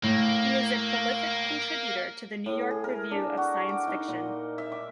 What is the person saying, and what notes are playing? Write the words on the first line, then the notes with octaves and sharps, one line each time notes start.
He is a prolific contributor to the New York Review of Science Fiction.
A2 A#3
A2
G#4
A#4
D4
F#4
D6
D#4
A#2
E5
D6